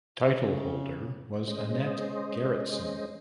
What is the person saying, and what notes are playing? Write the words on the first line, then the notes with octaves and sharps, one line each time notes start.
Title holder was Annette Gerritsen.
C#3
G#3 C#4 C5 D#5